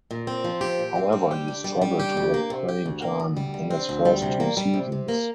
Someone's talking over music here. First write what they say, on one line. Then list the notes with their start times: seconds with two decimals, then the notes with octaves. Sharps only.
However he struggled to get playing time in his first two seasons.
0.11 A#2
0.27 C4
0.44 F3
0.61 G4
0.79 A#2
0.96 C4
1.13 G3
1.31 G4
1.48 D4
1.64 G3
1.82 G3
2.00 G4
2.17 D2
2.34 A#3
2.50 C3
2.69 G4
2.86 D2
3.02 A#3
3.20 D2
3.37 G3
3.54 D3
3.71 C4
3.89 D2
4.05 G3
4.22 C3
4.40 A#3
4.57 G3
4.74 C3
4.92 C3
5.09 A#3